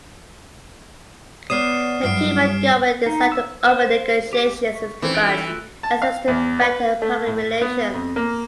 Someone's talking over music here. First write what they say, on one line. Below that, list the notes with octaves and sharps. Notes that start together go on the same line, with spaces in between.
The Cuban government decided to open negotiations with Cuban exiles to better public relations.
B3 C#5 D5 D#6 F6 C7 E7
G2 F#3 E4 F6 C7 D7
D#4
E6
C5
G4
C#6 B6
E3 C4 C#4 D#4 A4
G6 A6 D7
F#4 A4 A#6
A3 F4 F#6
A5
F5
E2
B4
A3
A2
B3
F2
A#3